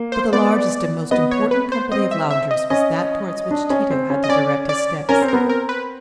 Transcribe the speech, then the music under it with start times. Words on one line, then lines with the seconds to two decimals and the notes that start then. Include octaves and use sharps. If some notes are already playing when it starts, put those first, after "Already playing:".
But the largest and most important company of loungers was that towards which Tito had to direct his steps.
Already playing: A#3
0.12 C5
0.33 B3 D5
1.11 B3 D#5
1.31 C#5
1.51 B4
1.72 C5
1.91 C4 D#5
2.11 E5
2.30 E5
2.51 D#5
2.70 C#4 D#5
3.51 D4
3.70 C#4
3.90 C4
4.10 C#4
4.24 D#5
4.29 C#4 D5
4.69 D5
5.09 C#4 A#4
5.22 C4
5.28 B3 A#4
5.45 C4 A#4
5.69 B4